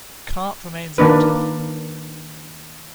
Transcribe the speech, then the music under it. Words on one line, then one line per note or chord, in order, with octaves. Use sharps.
Karp remains active.
D#3 A#3 D4 B4